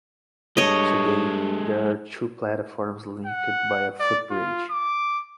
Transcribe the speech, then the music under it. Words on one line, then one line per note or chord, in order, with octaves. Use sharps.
Today, there are two platforms linked by a footbridge.
G2 G#3 A4 C#5 D#5
F#5
D5
F4
D6